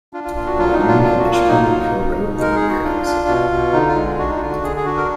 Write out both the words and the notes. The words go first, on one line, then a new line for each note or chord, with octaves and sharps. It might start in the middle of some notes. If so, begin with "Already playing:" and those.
Reiner and Mishkin co-wrote the premiere episode.
D4 F4
F4
A#2 F4
F#4
F#3 F4
D#4
D4
F4
A#2 F4
F#4
A#3
F4
F#3 D#4
F4
A#3
D#4
B2
B2
G#3 A#4
G#4
G#3
F#4
D4 F4
D4
B2
B2
D3 D#4
F4
G#3
D4 F#4
D#4
F#4
D3 F4
F#4
D3 G#4
G#4
D4 F#4
A#4